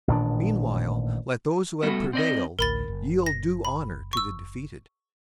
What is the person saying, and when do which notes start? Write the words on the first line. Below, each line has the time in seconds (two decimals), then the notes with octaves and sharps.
Meanwhile let those who have prevailed yield due honor to the defeated.
0.08 A1 A#2 D#3 D4
1.83 G3 A3 B3 F#4
2.13 C4 D5 D#5
2.59 A1 D2 A#4 B5 A6
2.88 F#1
3.26 A#6
3.65 B5
4.13 C#6 E6